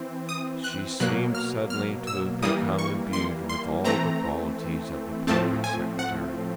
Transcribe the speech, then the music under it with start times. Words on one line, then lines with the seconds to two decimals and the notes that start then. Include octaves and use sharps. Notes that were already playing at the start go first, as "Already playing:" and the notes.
She seemed suddenly to have become imbued with all the qualities of the perfect secretary.
Already playing: E3 C4
0.29 D#6
0.64 F#6
1.00 B2 F#3 A#3 F#6
1.35 F6
1.70 F6
2.07 E6
2.42 E3 G3 A#3 D#6
2.79 C#6
3.13 C6
3.49 C6
3.84 E3 A3 C4 A#5
5.27 A2 F3 A3 C4 A5
5.64 G#5
5.99 F#5